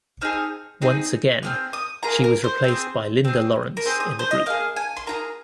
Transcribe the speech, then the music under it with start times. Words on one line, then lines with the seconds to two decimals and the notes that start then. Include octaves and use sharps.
Once again, she was replaced by Lynda Laurence in the group.
0.21 C4 D#4 G#4 F6
0.82 C4 D#4 G#4
1.43 C4 F4 G#4 F6
1.73 D#6
2.03 A#3 F4 G#4 A#5
2.24 A#4
2.44 C5
2.64 C4 G#4
3.24 C4 G#4
3.77 A#4
3.85 C4 G#4 C5
4.00 D#6
4.19 C5
4.31 D#5
4.46 A#3 G#4 F5
4.76 G#5
4.97 C6
5.07 A#3 F4 G#4 A#5